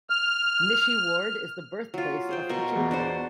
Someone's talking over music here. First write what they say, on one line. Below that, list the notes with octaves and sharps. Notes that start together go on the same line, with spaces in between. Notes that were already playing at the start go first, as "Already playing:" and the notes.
Nishi-Ward is the birthplace of pachinko.
F6
F#3 F4
G#4 C5 G5
B2 A#4 C#6
E2
D4 F#4 C5